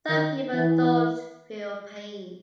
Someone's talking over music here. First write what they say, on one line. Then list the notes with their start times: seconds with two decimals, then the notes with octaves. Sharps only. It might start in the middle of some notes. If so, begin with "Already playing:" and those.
Some people don’t feel pain.
0.09 D#3
0.54 E3